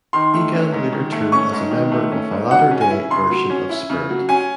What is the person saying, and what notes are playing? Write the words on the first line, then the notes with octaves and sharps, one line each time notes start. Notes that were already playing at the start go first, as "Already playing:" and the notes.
Egan later toured as a member of a latter-day version of Spirit.
D#3 C6
A3
C#4
G#2
D#3
A3
C#4 C#6
G#2
D#3
A3
C#4
G#2
F#3 F#5
C#4
G#5
E4
C#3 C6
F#3
C#4
E4
C#3
F#3
C#4 G#5